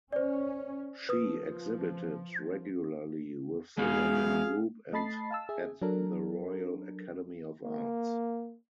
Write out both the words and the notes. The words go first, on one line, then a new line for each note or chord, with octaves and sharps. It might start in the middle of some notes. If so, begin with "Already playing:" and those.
She exhibited regularly with the London Group and at the Royal Academy of Arts.
C#4 C5 D5
F3 B4 D#6
G#3 B3 F#4 G#4 F5
A3 D#5 A5 B5 A6 C7
F5 A5 E6
G#4 E5
F#3 D4 A4 A#4
A#3